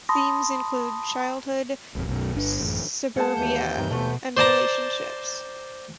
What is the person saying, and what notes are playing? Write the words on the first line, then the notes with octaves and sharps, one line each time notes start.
Themes include childhood, suburbia and relationships.
A5 B5 C6 D#6 A#6
D1 A#1 F2
B1 F#2 B2
G1 G2 D4
A1 F#2
G#3 A#3 F#5 A5
D#2 E3 G6
C2 G2 D#3
B2 F3 A3 B3
C5 D5 A5 A#5